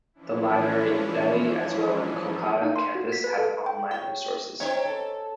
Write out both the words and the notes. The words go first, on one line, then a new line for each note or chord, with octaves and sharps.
The library in Delhi as well in Kolkata campus have online resources.
E3 F3 C#4 D4 E4
D#4
C6
F#4
B6
B4
A4
G5
C#5 G5
C4 C#4 D#4 C5 C#5
A4